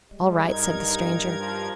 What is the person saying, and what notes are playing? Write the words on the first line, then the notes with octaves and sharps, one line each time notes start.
"All right," said the stranger.
G3 G#3
G2 D#4 A#4 G#6
F3